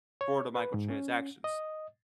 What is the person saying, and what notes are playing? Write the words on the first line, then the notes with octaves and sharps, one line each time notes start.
for the microtransactions.
C#5
B4
G#2
C#4
D#5